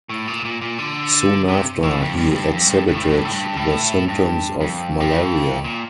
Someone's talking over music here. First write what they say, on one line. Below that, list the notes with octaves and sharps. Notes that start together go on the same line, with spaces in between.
Soon after, he exhibited the symptoms of malaria.
A2
A#2
A#2
A#2
D3
C3
A2
F2
G2
F2
G2
F2
G2
G2
A2
G2
A2
G2
A2
G2
A2
G2
F2
G2
F2
A#2